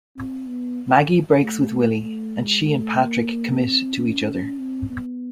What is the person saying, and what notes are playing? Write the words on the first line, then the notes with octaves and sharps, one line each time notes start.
Maggie breaks with Willie, and she and Patrick commit to each other.
C4
B3
A3
G#3
A3
A#3
C4
C#4
C4
B3